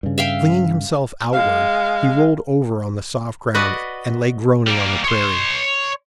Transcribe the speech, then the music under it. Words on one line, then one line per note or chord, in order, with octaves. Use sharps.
Flinging himself outward, he rolled over on the soft ground, and lay groaning on the prairie.
G2 C#3
E5 F5 G5
G#3 F5
F#4 B4 D5 D#5
G3 A#3
C#5 C6